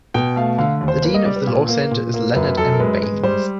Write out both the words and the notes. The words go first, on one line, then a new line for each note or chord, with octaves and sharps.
The dean of the Law Center is Leonard M. Baynes.
B2 G5
A3 F5
D3 F5
D#2
C5
A#3 B4
D#5
G3 D5
B4
A#2
A#3
A#2
A#3
F#2 B4
F#2 A4
A#4
G#3 B4
G#3
G3 C5